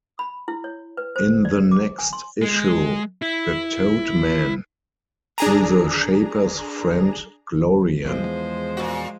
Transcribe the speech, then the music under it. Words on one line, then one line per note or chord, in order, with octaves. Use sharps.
In the next issue, the Toad Men kill the Shaper's friend, Glorian.
B5
E4
C#5
B4
C5
D5
D6
G#5
C6
G#3
E4
D4 G#4 A#5
E2 F3 G#3 C5
A#2 F#4